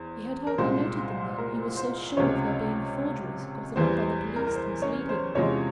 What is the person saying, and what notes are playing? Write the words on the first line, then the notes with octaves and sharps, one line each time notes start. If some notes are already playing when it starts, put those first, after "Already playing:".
He had hardly noted them then, he was so sure of their being forgeries, gotten up by the police to mislead him.
Already playing: E2 C5
A#4
C2 A#2 G#3 C5
A#4
C5
C#2 C3 F3 C#4 C#5
E2 E3 G3 C5
C5
A#4
A#4
C5
C#4 C#5
C5
E2 C3 F3 G#3 C#4 C#5